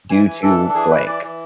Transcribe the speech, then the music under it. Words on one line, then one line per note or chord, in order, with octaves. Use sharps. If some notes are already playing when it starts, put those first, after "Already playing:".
due to blank."
E3 G#5
E3
E3 A4
D4
A4
E3 G#4
E3 B4
E3 D5
E3